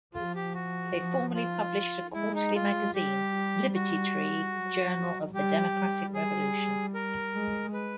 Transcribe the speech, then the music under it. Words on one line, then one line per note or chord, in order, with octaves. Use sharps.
They formerly published a quarterly magazine, Liberty Tree: Journal of the Democratic Revolution.
F3 F4
G4
F#4
F3
F4
G#3 E4
D#4
F4
G3 G4
F#4
F#3
G3 G4
G3
G#4
A#4
G#3
B4